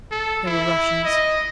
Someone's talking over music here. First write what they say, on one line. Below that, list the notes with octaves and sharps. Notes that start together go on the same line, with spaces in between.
They were Russians.
A4
E4
D#5